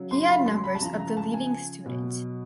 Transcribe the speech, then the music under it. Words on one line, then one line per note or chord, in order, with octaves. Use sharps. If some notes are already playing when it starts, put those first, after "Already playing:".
He had numbers of the leading students.
Already playing: C#3 F#3
C6
B5
C6
B5
A5
C#3 F3 A#5
A#5
A5
G#5
B2 F#3